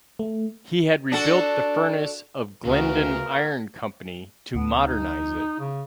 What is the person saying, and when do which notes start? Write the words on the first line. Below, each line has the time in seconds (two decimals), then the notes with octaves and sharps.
He had rebuilt the furnace of Glendon Iron Company to modernize it.
0.19 A3
1.12 D4 F#4 A4
2.65 D2 A#2 C#3 B3 G#4 A#4 C#6
4.54 D2 B3
4.85 D#4
5.60 C#3